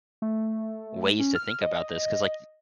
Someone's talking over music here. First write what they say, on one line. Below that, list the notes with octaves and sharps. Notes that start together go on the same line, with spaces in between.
ways to think about this 'cause like,
A3
C#4
F6
D#5